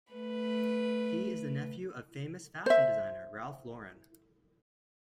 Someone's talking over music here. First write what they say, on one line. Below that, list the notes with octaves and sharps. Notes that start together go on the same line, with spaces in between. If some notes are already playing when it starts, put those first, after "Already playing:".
He is the nephew of famous fashion designer, Ralph Lauren.
A3 B4
C5 E5